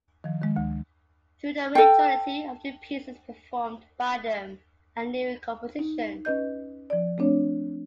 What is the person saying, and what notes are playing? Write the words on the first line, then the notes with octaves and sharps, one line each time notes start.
Though the majority of the pieces performed by them are newer compositions.
D#3 F3
D#3 G#3
D2
A4 G5
D#4
C#4 B4 D#5 G6
F3 D5
A3 C4 D4 C#5